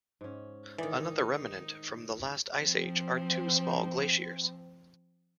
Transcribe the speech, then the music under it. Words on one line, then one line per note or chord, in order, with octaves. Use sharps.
Another remnant from the last Ice Age are two small glaciers.
G#2 C#4
D#3 E3 D#4 D5
F3 C4